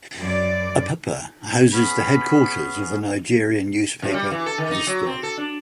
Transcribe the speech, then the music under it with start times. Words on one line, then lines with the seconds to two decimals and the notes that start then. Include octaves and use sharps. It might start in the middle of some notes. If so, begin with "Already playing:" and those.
Apapa houses the headquarters of the Nigerian newspaper "Thisday".
0.19 F#2 D5
1.73 B3 C#4 G#4 B5
4.02 F#2
4.14 G3
4.31 E3
4.46 A4
4.58 D#3
4.71 D#4
4.87 F#3
5.06 C4
5.23 A4
5.37 D4